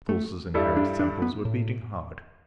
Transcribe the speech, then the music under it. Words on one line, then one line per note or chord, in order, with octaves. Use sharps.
The pulses in Harry's temples were beating hard.
A3
G2 G3 E4 A4
D4
D4
B3
A2